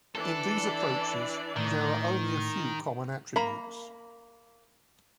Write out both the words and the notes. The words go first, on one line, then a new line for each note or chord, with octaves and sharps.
In these approaches, there are only a few common attributes.
E3 D4 A4 D5
A2 D#3
A#3 A#5 B5